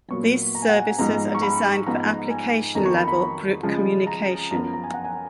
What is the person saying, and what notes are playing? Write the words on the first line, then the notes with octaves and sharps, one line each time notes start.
These services are designed for application-level group communication.
A#2 F#3 B3 C#6
A#5
G#5
F#5
G#5
G#2 F3 G#3 B3 A#5
C#6
B5
G#2 F3 B3 A#5
G#5
F2 D#3 F#3 B3 A#5
C#6
B5
B5
C#3 F3 G#3
A#5
F#2 F3 B3 A#5
A#5
G#5
F#5
G#5